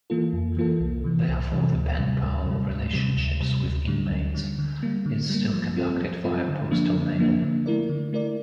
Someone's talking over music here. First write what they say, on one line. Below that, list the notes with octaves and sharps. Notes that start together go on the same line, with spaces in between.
Therefore the pen pal relationships with inmates is still conducted via postal mail.
E3 A#3 F4 A4
F2
E3 A#3 F4 A4
C2
C3 E3
C2
C3 E3
D2
C3 G3
D2
C3 G3
D2
C3 G3
D2
C3 G3
D2
D3 G3
D2
D3 G3
D3
G3 A#3
D3
G3 A#3
F3
C4 F4 A4 C5
F3
C4 F4 A4 C5
D3
F3 A#3 D4
D3
F3 A#3 D4
D3
A3 E4 A#4 D5
D3
A3 E4 A#4 D5